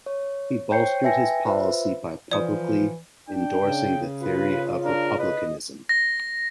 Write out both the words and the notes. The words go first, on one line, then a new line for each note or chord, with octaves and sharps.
He bolstered his policy by publicly endorsing the theory of republicanism.
C#5
C5 C#5 G5 G6 C7 C#7
B4 E5 G5 G#5 A#6 C#7
F4 B4 C5 E5
E3 F3 D5 D#6
D4 G5
C#3
F4 B4
D4 A#4
B4 D#5
A#6